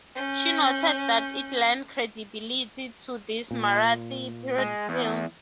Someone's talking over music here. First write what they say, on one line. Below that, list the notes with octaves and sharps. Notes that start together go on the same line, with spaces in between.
She noted that it lent credibility to this Marathi period film.
C#4 G6
A#2
G#3
E2